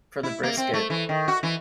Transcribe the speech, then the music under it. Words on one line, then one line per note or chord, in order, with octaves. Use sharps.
for the brisket
E4
A#3
C4
A3
E3
D#3
F#4
E3